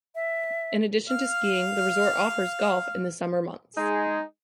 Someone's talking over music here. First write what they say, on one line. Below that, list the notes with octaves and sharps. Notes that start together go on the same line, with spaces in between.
In addition to skiing, the resort offers golf in the summer months.
E5
F5 F6
G#3 D#4 G#4